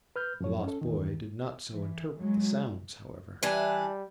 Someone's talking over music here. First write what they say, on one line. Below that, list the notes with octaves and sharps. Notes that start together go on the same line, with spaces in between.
The lost boy did not so interpret the sounds, however.
B4 F6 G6
F#2 F3 C#5
C#4 A4
E2 D#3
E3
F#3 G#3
E3 G3 D4 G#5